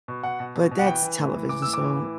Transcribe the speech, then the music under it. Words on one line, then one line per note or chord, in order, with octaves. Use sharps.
But that's television, so
B2
B2 F#5
B2
B2
B2
F#5
E3 G5
E3
A2
E3
E3 D6
A2 E6
D6
E3
A2